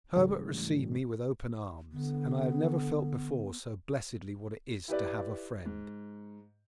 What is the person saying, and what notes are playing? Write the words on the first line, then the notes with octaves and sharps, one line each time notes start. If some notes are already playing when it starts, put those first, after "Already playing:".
Herbert received me with open arms, and I had never felt before so blessedly what it is to have a friend.
G#2 C#3 E3 F#3 G3 A3
D3 B3
E4 G4 B4 D5
G#2